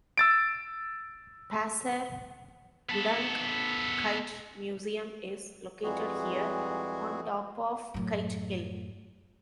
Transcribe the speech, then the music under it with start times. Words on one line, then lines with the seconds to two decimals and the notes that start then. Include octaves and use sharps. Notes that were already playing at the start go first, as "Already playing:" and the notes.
Pasir Gudang Kite Museum is located here, on top of Kite Hill.
0.18 E6 A6 D7
2.89 B3 A4
5.83 F2 E3 G3 G#3 F#4 G#4
7.94 F#2 A2